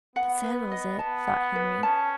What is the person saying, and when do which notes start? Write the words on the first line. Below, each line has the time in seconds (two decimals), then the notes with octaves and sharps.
"That settles it," thought Henry.
0.16 B3 F#5
0.44 B4
0.72 D#5
0.99 B3 A5
1.27 F#5
1.56 B4
1.83 C#4 A5